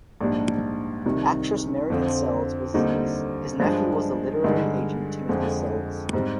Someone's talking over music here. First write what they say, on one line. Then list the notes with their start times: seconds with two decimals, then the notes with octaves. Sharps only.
Actress Marian Seldes was his niece; his nephew was the literary agent Timothy Seldes.
0.21 A#1 G#2 G3 D4
1.06 C2 C3 D#3
1.90 F2 D3 F3 C4
2.74 D#2 D3 G3 C4 D#4
3.60 G2 F3 G#3 D4
4.44 G2 D3 G#3 D#4
5.29 F2 D3 F3 G#3
6.13 G#2 G3 C4